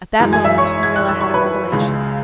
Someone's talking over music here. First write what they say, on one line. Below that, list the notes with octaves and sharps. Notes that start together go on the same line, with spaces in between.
At that moment Marilla had a revelation.
F#2 E3 G#3
G#5 G#6
E5 E6
C#5 C#6
G#6
F#6
E6
C#6
B4 B5
C#2 C#3 G#3